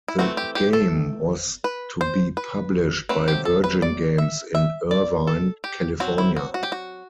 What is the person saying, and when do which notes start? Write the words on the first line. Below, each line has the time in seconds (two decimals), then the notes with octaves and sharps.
The game was to be published by Virgin Games in Irvine, California.
0.08 E4
0.19 E3 A3 C4 F#4
0.37 G4
0.55 G4
0.73 A4
1.64 B4
2.01 C5
2.37 B4
3.09 F#3 A3 C4 B4
3.28 G4
3.45 A4
3.64 B4
3.82 D5
4.18 E5
4.55 E5
4.91 D5
5.27 A4
5.64 G4
6.00 F#3 C4 F#4
6.18 E4
6.36 F#4
6.54 F#4
6.63 G4
6.72 F#4